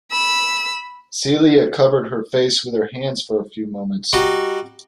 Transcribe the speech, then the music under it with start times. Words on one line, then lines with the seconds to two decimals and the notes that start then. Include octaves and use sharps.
Celia covered her face with her hands for a few moments.
0.12 B5 E6
4.13 G3 D#4 F#4